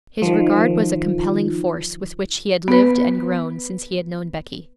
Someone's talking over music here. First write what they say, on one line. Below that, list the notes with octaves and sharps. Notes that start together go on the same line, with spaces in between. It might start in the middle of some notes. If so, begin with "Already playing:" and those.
His regard was a compelling force with which he had lived and grown since he had known Becky.
D#3 F3
B3 B4